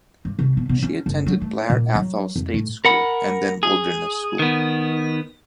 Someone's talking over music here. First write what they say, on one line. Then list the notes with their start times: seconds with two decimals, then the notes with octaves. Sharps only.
She attended Blair Athol State School and then Wilderness School.
0.25 G2
0.39 C2
0.57 B2
0.69 B2
0.82 C#4
1.06 F#1
1.26 F#3
1.41 A3
1.70 A#2
1.95 F#3
2.36 F2
2.54 A2
2.85 A#4 F#5 B5
3.63 G#4
4.39 D#3 B3